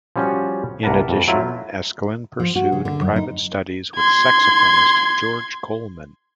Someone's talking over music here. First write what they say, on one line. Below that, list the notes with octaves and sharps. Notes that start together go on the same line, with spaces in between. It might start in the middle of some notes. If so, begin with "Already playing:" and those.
In addition Eskelin pursued private studies with saxophonist George Coleman.
F3 G3 C#4 F#4
C2 A#3 A#4 B4 F#5 A5
F2
F#3 A3 E4 F4
F3
F#4
C#3
D3
F#2
D#4
C6 G#6